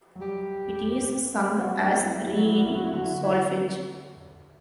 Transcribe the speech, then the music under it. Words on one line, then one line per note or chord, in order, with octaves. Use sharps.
It is sung as re in solfege.
F#3
G3 G4
F#3 F#4
G3
F#3 D4
G3
E4
F#3
G3 E4
F#3 F#4
E4
G3 F#4
F#3 E4
F#4
E4
D3 F#4
E4
F#4
E4
F#4